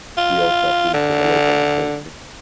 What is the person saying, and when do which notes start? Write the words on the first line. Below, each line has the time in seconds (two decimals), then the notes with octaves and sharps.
He also appealed to the local authority.
0.17 F4
0.94 D3